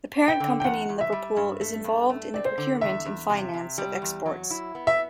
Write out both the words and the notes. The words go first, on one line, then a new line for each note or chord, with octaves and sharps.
The parent company in Liverpool is involved in the procurement and finance of exports.
B3
G5
D3
G5
E2 F#5
E2
E5
G3
G2
A3
G2
A3
C4 D5
C5
D3
E2 E5
E2
C3
C3
G3
E2
F#3
E4
B3
E5